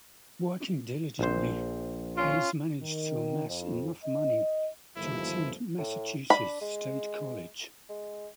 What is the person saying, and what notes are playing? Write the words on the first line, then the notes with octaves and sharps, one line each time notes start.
Working diligently, Hayes managed to amass enough money to attend Massachusetts State College.
A#1 C5
C#4 F4
D#3
F2
D#5
G1 D#2 F3 E4
A2
D4 B5
G#3
G#3